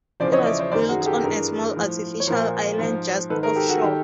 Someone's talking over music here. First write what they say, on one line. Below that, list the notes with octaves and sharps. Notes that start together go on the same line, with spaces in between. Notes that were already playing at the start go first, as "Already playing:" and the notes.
It was built on a small artificial island just off shore.
E2 C#3 F3 C5 D5
C#5 D#5
D5 E5
C5 D5
F#2 D#3 C5 D5
F#4 G#4
G#4
G4 A4
G2 E3 G#4 A#4
A2 F3
C#5
A#2 F3 A#4 C5
G#2 F3
G#2 D#3 A4 B4
G#4 A#4
G4 A4
F#4 G#4
D#3 G4 A4